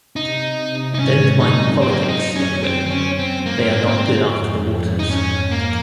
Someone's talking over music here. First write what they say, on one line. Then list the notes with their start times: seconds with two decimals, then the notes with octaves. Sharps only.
Don't mind politics, young women, they are not good after the waters.
0.16 C3 D#4
0.94 D#4
0.99 G#2 C#4
1.40 F#2 D#4
1.82 C4
1.89 A#3
1.97 C4
2.08 D#4
2.35 C#4
2.64 C4
2.86 C4
2.90 C#4
3.19 C4
3.46 G#2 A#3
3.58 C4
3.71 A#3
3.87 C4
4.28 F2
4.99 D#4
5.10 C#4
5.52 A#3